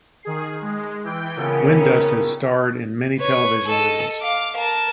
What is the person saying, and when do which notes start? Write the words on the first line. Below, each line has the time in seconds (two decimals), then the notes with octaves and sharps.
Windust has starred in many television movies.
0.23 D#3 G#4 C7
0.61 G#3
1.04 E3 G5
1.37 A#2 C#3 G3 B3 C#4 A4
1.70 D#3
3.18 B4 C#5
3.66 A4 D#5
4.21 F5 D6
4.56 A#4 A5